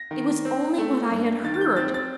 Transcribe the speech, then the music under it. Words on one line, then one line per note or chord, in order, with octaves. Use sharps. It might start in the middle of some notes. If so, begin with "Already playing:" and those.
It was only what I had heard.
Already playing: A#6
D#3
C4
A3
G2
D#3 A6
A6
G6
C4 A6
A6